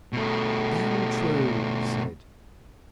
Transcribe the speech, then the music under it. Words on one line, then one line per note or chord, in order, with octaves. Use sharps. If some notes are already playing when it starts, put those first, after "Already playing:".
"Down, True!" he said.
B2 A3